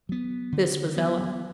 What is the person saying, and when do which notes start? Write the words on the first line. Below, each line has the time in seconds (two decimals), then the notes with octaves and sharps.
This was Ella.
0.09 F#3 B3
0.52 D3
0.96 F#3 B3